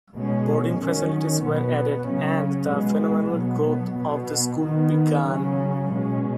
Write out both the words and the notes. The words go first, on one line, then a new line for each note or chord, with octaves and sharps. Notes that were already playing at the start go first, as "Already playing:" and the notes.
Boarding facilities were added, and the phenomenal growth of the school began.
B2 G#3 C#4
D#3 F#3 C#4
B2 B3
C#3 F#3 C#4
B2 G#3 B3
B2 F#3 B3
B2 B3
D#3 B3
C#3 F#3 C#4
B2 G#3 C#4